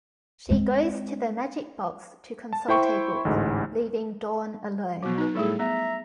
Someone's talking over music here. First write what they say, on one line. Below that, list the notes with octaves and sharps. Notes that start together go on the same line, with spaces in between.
She goes to the Magic Box to consult a book, leaving Dawn alone.
G#3 C4
A5
E4 C5 G5 C#6
A1 D2 G#2
B2 F#3 B3
D#4 B4
A2 G3 A3 E4 G#4 A4
B3 E5 A#5